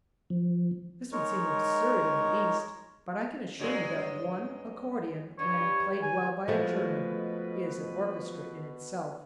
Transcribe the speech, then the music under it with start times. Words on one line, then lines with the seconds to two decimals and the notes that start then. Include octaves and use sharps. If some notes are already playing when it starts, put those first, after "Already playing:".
This would seem absurd in the East, but I can assure you that one accordion, when played well by a German, is an orchestra in itself.
0.30 F3
1.12 G#3 D#4 A#4 C#5
3.59 G2 F#3 G#3
5.39 G2 C#5
6.02 G#5
6.48 B2 F3 G#3 A3 B4